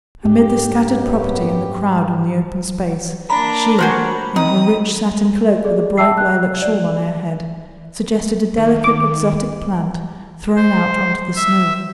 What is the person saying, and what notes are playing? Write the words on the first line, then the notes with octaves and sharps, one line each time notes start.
Amid the scattered property and the crowd on the open space, she, in her rich satin cloak with a bright lilac shawl on her head, suggested a delicate exotic plant thrown out onto the snow.
G#2 D4 G4
F#2 B3
A#3 D4 A#5 B5
F#4 A#4 C5 F#5 G#5
C4 D#4 D#6
G#4 D5
E5 A5 E6 C7
F#6
D5
D#3
D6
C5
E5